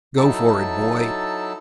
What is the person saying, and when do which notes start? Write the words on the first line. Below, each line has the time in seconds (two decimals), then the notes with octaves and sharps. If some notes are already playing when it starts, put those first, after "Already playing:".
Go for it, boy.
0.17 F#3 D#4 E4 A4 A5 E6